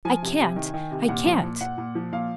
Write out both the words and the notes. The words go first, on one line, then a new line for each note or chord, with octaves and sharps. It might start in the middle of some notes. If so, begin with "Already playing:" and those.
"I can't--I can't!"
F3 G#5
C3
C3
D#3
D#3
C3
A#2 F#5
F3
A#2
A#2 F#5
A#2
F3
A#2 F5